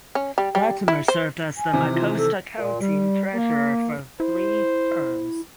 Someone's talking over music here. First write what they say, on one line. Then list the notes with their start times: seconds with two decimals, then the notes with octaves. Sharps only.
Latimer served as the Mecosta County treasurer for three terms.
0.15 C#4
0.38 G3
0.55 G3
0.88 E4
1.08 C5
1.57 G#5
1.73 C3 D#3 E3
1.94 F4
2.17 A4
2.57 A#2
2.80 G3
3.33 A#3
4.20 E4 C5